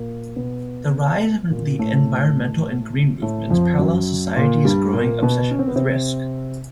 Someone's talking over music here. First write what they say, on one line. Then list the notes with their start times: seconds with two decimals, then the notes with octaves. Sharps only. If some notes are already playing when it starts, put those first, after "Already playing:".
The rise of the environmental and green movements parallels society's growing obsession with risk.
Already playing: A#2 A#3
0.36 B2 B3
1.50 A#2 A#3
1.79 A2 A3
3.22 A2 A3
3.50 F2 F3
3.79 F#2 F#3
4.36 A#2 A#3
4.65 G2 G3
4.93 A#2 A#3
5.22 B2 B3
5.51 C#4
5.59 C4
5.67 B3
5.76 C3 C4